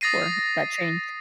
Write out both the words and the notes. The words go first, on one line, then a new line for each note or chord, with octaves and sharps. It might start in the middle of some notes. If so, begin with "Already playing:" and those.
For that change.
D#6 A6 A#6 C7 D#7